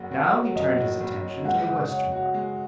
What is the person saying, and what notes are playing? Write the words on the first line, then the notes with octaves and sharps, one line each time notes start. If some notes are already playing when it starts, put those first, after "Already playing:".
Now he turned his attention to the western dial.
Already playing: F#1 F#2 F#5
F#1
F#3
F#2 D#5
F#1
F#1
F#3
G#3 F#5
C#3
C#5
F#4
G#3